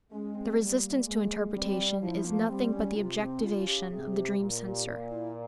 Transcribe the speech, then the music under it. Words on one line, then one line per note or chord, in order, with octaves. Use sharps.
The resistance to interpretation is nothing but the objectivation of the dream censor.
G#3 C#4
C4
G3 A#3
A#3
G#3
G3 C4
F3 E4
A#3
G3 C4
C#4
C3 F4
C4
C#3 F4
G4
C3 G#4
G4
A#2
G4
A#2
E4